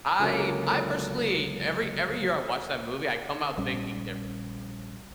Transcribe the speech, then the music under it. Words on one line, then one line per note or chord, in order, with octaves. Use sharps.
I I personally every every year I watch that movie, I come out thinking differently on it.
C#2 D3 F#3 A#3
A#1 G3 C#4